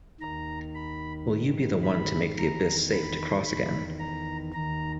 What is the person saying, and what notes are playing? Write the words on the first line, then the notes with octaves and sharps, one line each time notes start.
Will you be the one to make the Abyss safe to cross again.
D#2 D#3 A#5
B5
G#2 D#3
B5
E2 D#3 A#5
B5
E2 D#3 B5
A#5
D#2 D#3 A#5